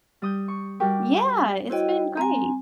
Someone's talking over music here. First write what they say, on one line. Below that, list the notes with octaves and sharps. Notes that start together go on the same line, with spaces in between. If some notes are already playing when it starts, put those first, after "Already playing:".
Yeah, it's been great!
G3 D#6 G6
C#6
G3 F#4 G4 A#4 F#5 D6
E4 F#4 C5 C#5 D#5 G5
C4 G#5 A#5